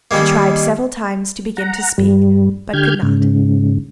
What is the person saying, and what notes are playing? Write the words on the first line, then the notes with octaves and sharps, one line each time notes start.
She tried several times to begin to speak, but could not.
D#3 G3 G#3 A#3
F#5 A#5
G2 G3
D3 G4 F6 G6 G#6
G#2 C#3